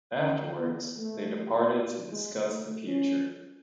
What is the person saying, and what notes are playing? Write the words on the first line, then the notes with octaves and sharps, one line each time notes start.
Afterwards, they departed to discuss the future.
C#4
B3
A3
G#3
A3
C#4